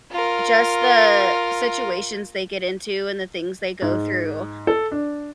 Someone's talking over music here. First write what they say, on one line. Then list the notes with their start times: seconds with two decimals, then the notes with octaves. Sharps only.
just the situations they get into and the things they go through,
0.12 F4 A#4
3.82 G#2
4.67 A4
4.91 D4